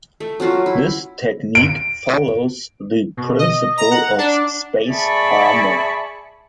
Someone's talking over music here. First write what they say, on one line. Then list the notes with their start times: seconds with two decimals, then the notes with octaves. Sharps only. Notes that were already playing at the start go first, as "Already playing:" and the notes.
This technique follows the principle of spaced armor.
0.20 A3
0.40 F#3 C#4 F4 F#4
0.66 E4
1.55 D7
3.17 B2
3.39 D#5
3.78 A#5
3.91 F#5
4.18 D4
4.88 G#4 D5 E5 A5 B5 C#6